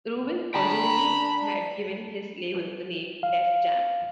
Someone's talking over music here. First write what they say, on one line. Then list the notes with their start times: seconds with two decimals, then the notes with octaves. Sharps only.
Rubin originally had given his label the name "Def Jam".
0.54 D4 G5 A#5 B5
3.23 F5